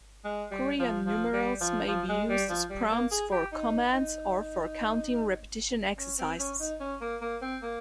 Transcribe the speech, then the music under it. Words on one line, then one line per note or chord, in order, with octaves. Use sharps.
Korean numerals may be used as prompts for commands or for counting repetition exercises.
G#3
G3
F3
F3
G3
F3
F3
G#3
G3
F3
G3
A#3
G#4
G4
D#4
D#4
C#4
C4
C#4
D#4
C#4
A#3
A#3
C4
A#3